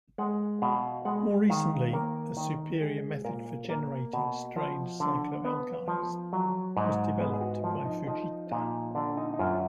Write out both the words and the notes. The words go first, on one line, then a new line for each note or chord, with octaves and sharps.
More recently, a superior method for generating strained cycloalkynes was developed by Fujita.
G#3 F#5
B2 F5
G#3 F#5
D#3 F5
A#3 A#4
D#3
G#3 G#4
A#2 A#4
A#3 A#4
B2
F3
D3
B3
F3
F#3
G#2
B3 G#4
G#4
F#4
F3
D#4
F3 D#4
A#2 D#4
D3 D4
D#4
D#4
F#2 F4